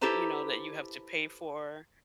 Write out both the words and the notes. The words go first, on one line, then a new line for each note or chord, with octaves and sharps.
that, you know that you have to pay for.
E4 G4 A4 B4 C5 A#5